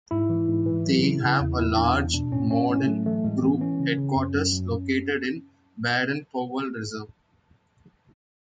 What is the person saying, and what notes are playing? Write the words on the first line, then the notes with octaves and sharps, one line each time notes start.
They have a large, modern, group headquarters located in Baden-Powell reserve.
G#2 E4
E3
G#2
E3
F#3
C#3
C#3
E2
E2 E4
E2 D4
E2
B2 D4
A2 C#4
A2 C#4
A2 C#4
F#3 A3
E3 A3
A2 G#3
E3 B3
E3 C#4
C#3
C#3
F#2
F#2
F#2